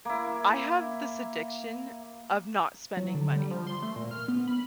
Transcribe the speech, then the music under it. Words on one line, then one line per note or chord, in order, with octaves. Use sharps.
I have this addiction of not spending money.
A#3 E4
F#3
D3
G3
F3
C6
A3
A#2
F6
B3
B5